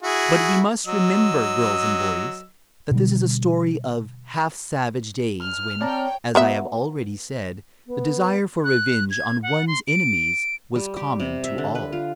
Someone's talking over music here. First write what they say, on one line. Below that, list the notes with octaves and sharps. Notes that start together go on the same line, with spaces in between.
But we must remember, girls and boys, that this is a story of half-savage days when, as I have already said, the desire for revenge on one's enemies was common to all.
E4 F#4 G#4
F#3 D#5 E6
B2 D3 G3
F6
C4 C#5 D5 G5 A5 A#5
F#3 B3 E5
B3
F#6
G#6
F#5
C6
D7
G3
G4
C3
E5
D3
B4
F4